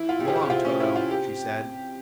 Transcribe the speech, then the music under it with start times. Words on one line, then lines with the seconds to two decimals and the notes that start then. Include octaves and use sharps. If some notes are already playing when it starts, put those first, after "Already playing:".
"Come along, Toto," she said.
Already playing: E3 E4
0.09 F4
0.20 G3
0.25 G#4
0.28 F3 G4
0.36 E3
0.42 C#3
0.46 G4
0.50 C3 F4
0.65 C#4
0.80 E4
0.96 F4
1.11 G4